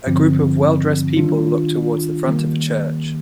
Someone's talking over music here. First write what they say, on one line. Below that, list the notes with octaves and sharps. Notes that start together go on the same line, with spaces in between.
A group of well dressed people look towards the front of a church.
G2 D3 F3 C4
D#3 G3 D4 F4
D#3 G3 A#3